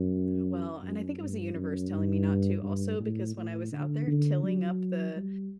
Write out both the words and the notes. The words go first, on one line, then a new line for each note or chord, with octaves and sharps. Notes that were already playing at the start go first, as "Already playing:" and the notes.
Well, and I think it was the universe telling me not to also because when I was out there tilling up the
Already playing: F#2
F#2
G2
F#2
G2
G2
A2
A2
D3
D3
F#3
G3